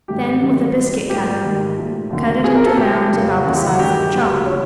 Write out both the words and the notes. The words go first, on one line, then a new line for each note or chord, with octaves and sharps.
Then with a biscuit cutter, cut it into rounds about the size of a chop.
G#2 D#3 F#3 A3 G4
F#2 D#3 G3
A#2 G3 A#3
G#2 F3 A#3 G4
G#2 D#3 G3
A#2 F3 A3
D#2 D3 F#3 A3
A#2 G3 A#3 G#4
A#4
A4
A2 F#3 A3 G4
F2 C#3 F#3
D#2 C#3 E3 F#4
G4
F#4
G2 D#3 G#3 G4
D2 C#3 F#3 A#3
D3 F3 C#5